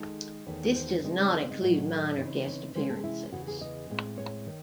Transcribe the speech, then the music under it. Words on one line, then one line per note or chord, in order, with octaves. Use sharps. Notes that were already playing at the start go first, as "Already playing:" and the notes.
This does not include minor guest appearances.
Already playing: D#3 G#3 D#4 A4
E2 D#3 A3 C#5
C5
C#3 G#3 C4 D#4 D#5
C#5
A4
C5
D#5
A2 F#3 A3
C#3 E3 C4 D#4 C#5
C#5
C3 E3 G#3 C#4 C5
A4
E4
E2 C#3 E3 F#4
G#4
D#5
A2 G#3 C4
C#5
D#3